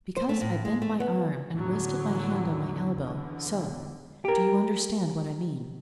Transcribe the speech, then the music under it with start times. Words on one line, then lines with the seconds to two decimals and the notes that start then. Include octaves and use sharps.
"Because I bent my arm and rested my hand on my elbow--so; do you understand what I mean?"
0.17 C5
0.29 A3
0.41 A2
0.65 G#3
0.82 A3
1.00 B3
1.52 E2 A2 D3 F#3
2.94 E2 D3
4.25 G4 A#4